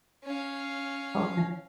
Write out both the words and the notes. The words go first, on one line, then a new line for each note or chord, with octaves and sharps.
Oh, really?
C#4 F5